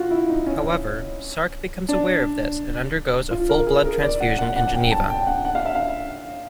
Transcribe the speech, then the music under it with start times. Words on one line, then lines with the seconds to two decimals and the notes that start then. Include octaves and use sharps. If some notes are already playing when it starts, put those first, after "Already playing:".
However, Sark becomes aware of this and undergoes a full blood transfusion in Geneva.
Already playing: F4 F#4
0.11 E4
0.29 D#4
0.46 C#4
1.89 D4
3.31 F4
3.49 A#4
3.67 G#4
3.85 A#4
4.02 D5
4.20 F#5
4.38 F#5
4.56 F#5
4.74 G5
4.91 A5
5.09 G5
5.27 F#5
5.45 F#5
5.55 F5
5.66 E5
5.75 F5